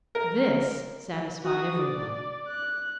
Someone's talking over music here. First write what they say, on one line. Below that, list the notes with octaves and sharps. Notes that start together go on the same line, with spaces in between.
This satisfied everybody.
A#4
F#4 D#6
D5
F#6